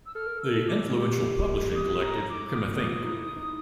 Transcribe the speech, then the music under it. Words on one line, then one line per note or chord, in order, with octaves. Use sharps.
The influential publishing collective CrimethInc.
E6
A4 F6
A#4
A4 E6
D6
G4
D#6
A#5
D6
F#4 D#6
F4
D#4
E4
D#4